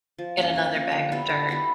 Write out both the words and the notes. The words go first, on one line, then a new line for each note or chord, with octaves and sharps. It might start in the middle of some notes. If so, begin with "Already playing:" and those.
get another bag of dirt.
F3
A#3 C#4
F3
A#3 C#4
D3
G3 B3 E4
D3
G3 B3 E4